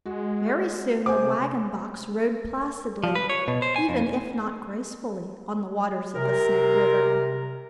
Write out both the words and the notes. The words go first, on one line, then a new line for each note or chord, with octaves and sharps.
Very soon the wagon box rode placidly, even if not gracefully, on the waters of the Snake River.
G#3 F#4
C3 C5 G#5 D6
F3
B4
C#5
B2
C5
G#5
F2
C3 A#4